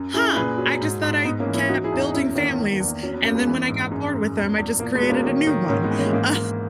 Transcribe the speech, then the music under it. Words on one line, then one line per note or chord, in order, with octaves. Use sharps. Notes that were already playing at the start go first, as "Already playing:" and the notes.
"Huh, I just thought I kept building families, and then when I got bored with them, I just created a new one." Um,
Already playing: F#2
F#2 E4 G#4
A#2 G#4 B4
F#3
G#2
G#2
G#2 B3 D#4
A#3 C#4
E3
C#4 E4
F#3 D#4 F#4
E4 G#4
E2
D#4 F#4
F#2 C#4 E4
D#3 A#3 C#4
E2
A#3
E2
A#3
F#3 C#4
B3
F#2 A#3
G#3 B3
E3
G#2
F#2 G#3
F#2
E2
E2
A#2 A#3
G#3 B3
F#3
A#3 C#4
D#3 A#3 C#4
D#3
G#2 A#3 C#4
G#3 B3
E3
A#3 C#4
G#3
G#2 A#3
G#2 A#3